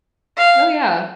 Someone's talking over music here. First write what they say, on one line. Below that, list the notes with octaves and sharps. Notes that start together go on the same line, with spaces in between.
Oh, yeah.
F5